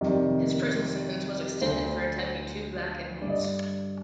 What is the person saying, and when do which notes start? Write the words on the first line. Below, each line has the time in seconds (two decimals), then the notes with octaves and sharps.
His prison sentence was extended for attacking two black inmates.
0.01 F2 C3 D#3 D5
1.61 D2 D3 C5
3.22 G2 D3 D5
3.30 D#5
3.38 D5